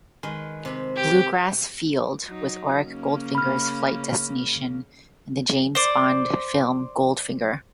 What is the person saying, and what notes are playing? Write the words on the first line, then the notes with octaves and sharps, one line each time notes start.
Blue Grass Field was Auric Goldfinger's flight destination in the James Bond film "Goldfinger".
D#3 G#3 B4
C3 B5
G4
F#3 D#4
C#3 A#3 C#4
B5 F6
C5 D5